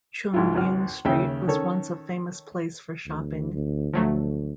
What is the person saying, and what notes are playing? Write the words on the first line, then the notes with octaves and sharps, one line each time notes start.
Chung Ying Street was once a famous place for shopping.
C#2 G#2 F#3 E4 F4
G#1 C#2 F#4 F6
D#2 C#3 E5 G5
D#3 C#4 A4 C#5
D2
D2
D2 F3 F#3 A3